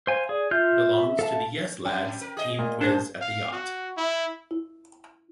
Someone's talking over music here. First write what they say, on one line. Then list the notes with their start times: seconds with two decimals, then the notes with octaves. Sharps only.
Belongs to the Yes Lads team quiz at the yacht.
0.07 C5 F5 G#5
0.29 G#4 D5
0.51 F4 E5 F6 G6
1.19 A4 F5 A5
1.85 F2 G5
2.21 A#4
2.37 G#4 D#5
2.59 A#2
2.81 D4 G#4 C5
3.21 F5
3.53 F#4
3.97 E4
4.51 E4